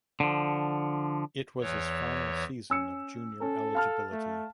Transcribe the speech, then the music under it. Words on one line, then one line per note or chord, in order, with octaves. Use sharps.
It was his final season of junior eligibility.
D3 F3
E2 E3 C#5
C#4 E6 C#7
C#4 A4
F5 A5 F6
A3